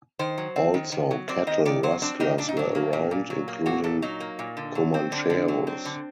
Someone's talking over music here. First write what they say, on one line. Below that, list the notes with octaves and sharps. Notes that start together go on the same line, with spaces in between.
Also, cattle rustlers were around, including Commancheros.
D#3 C5
F#3
C4
D#3
D#3
F#3
C4 D5
D#3 D#5
D#3 D5
F#3 C5
C4 D4
D#3 D#4
A#2 D4
D#4
F#3 D4
A#3
A#2
A#2
F#3
A#3
A#2 F#4
A#2 A4
F#3 D#4
A#3
A#2
D3
F#3
C4
D3 D4
D3
F#3
C4
D3